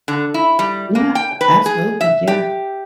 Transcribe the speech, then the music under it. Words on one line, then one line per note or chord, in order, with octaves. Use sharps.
Yeah, absolutely, yeah.
D3
E4
G3
A#3
G5
B4
G#4
E5
G4